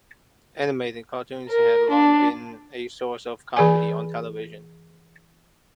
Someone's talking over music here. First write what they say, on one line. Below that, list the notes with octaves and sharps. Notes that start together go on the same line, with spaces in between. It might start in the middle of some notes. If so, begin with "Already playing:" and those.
Animated cartoons have long been a source of comedy on television.
A#4
D4
E3 G#4 D5 G#5